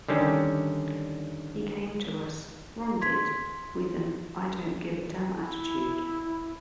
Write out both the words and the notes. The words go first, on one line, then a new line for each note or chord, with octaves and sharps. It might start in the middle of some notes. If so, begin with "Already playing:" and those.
He came to us, Ron did, with an I-don't-give-a-damn attitude.
D3 D#3 G3 C#4
C6 G#6 B6
E4